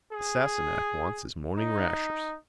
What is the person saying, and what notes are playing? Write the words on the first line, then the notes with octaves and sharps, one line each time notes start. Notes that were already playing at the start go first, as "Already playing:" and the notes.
The Sassenach wants his morning rashers.
G#4
D#4